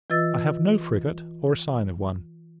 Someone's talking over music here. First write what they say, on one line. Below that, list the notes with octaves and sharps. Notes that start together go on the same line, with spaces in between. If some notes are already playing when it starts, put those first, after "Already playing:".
I have no frigate, or a sign of one.
E3 F4 B4 D#5 E6 A6